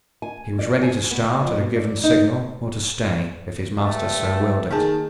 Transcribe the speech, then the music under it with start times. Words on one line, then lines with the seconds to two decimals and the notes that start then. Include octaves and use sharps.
He was ready to start at a given signal, or to stay, if his master so willed it.
0.22 G#5
0.59 D5
0.83 G#5
1.11 B3
1.42 F2
1.58 B2
1.76 D5
2.04 D#4
3.77 G2 A3
4.71 D#3 A#3 D#4 G#4 A5